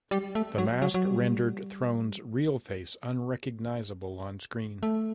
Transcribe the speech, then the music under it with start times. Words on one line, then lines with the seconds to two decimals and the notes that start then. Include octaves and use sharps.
The mask rendered Throne's real face unrecognizable on screen.
0.11 G3
0.35 A3
0.58 F#3
0.82 F#3
0.94 F#3
1.05 G3
4.83 A3